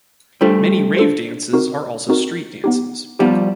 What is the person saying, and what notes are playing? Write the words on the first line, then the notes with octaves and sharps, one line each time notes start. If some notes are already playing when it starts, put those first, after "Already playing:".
Many rave dances are also street dances.
G3 A3 D4 F4 A4 C5
D4 F4 A4 C5
C4 D#4 F#4 A#4
C4 D#4 F#4 A#4
B3 D#4 G4
F3 G3 B3 D#4 G4